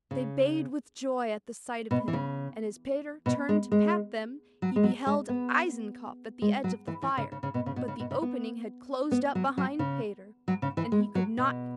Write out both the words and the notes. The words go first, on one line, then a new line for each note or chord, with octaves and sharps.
They bayed with joy at the sight of him, and as Peter turned to pat them, he beheld Eisenkopf at the edge of the fire, but the opening had closed up behind Peter, and he could not get through.
C#3
B2
E3
C#3
B2
G#3
G#3
F#3
G#3
F#3
G#3
B3
G#3
F#3
E3
E3
C#3
C#3
C#3
B2
C#3
B2
C#3
B2
C#3
B3
B3
F#3
F#3
C#3
F#3
C#3
E3
G#3
F#3
B2